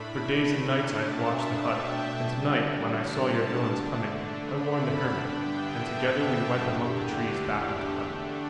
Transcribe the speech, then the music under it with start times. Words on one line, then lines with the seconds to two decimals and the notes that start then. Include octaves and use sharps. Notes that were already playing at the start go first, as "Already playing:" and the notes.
For days and nights I have watched the hut, and tonight, when I saw your villains coming, I warned the hermit, and together we went among the trees back of the hut.
Already playing: A2 A3 D4 B5
0.70 B2 A3 D4 A5
1.07 E5
1.44 G5
2.17 D3 G3 D4
2.91 A5
3.64 D3 A3 D4
4.37 B5
4.74 A5
5.10 G2 D3 B3 D4 G5
5.48 E5
5.84 A5
6.21 A5
6.57 E2 D3 A3 D4 G4
8.04 D3 A3 D4 A4